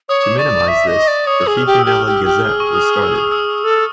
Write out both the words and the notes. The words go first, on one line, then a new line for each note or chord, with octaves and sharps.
To minimize this, the "Fifinella Gazette" was started.
C#5 D#6
D6
D5 C#6
E5
D#5
D5
C#5 D#6
E6
G#4
F6
G4
E6
G4 F6
F6
G4
E6
G4
F6
G#4 F6
C#6
D#6
F6
E6
D#6
E6
A4